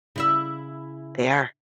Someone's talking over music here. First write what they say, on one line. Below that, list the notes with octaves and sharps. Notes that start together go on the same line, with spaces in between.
They are.
C#3 E4 E5